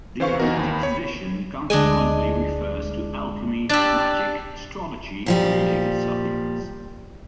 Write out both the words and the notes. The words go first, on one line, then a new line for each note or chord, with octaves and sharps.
The "hermetic tradition" consequently refers to alchemy, magic, astrology, and related subjects.
E3 C5 F5 C#6
E2 D#4 F#4 A#4
D#2 B5
C#5 B5
D2 G#3 D4 D#5 G#5
D4 G4 E6 F#6 A6
A#2 F3 G3